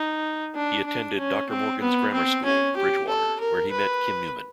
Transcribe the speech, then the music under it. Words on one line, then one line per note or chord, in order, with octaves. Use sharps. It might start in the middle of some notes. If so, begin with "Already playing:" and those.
He attended Doctor Morgan's Grammar School, Bridgwater where he met Kim Newman.
Already playing: D#4
D4
D4
C#4
C4
B3
C4
C#4
G4
A4
A#4
B4